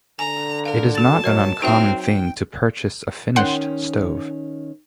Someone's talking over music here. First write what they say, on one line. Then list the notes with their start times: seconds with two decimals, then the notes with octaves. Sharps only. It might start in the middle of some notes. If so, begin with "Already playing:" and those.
It is not an uncommon thing to purchase a finished stove.
0.19 D3 G#5 A#5
0.65 A#4 F5
0.95 F#4 A5 A6
1.24 F#3 A#4 D#5 F6
1.62 F#3 C4 D#4 F#4 A#4 E5
1.99 G5
3.36 D#3 C#4 F#5 G5 C6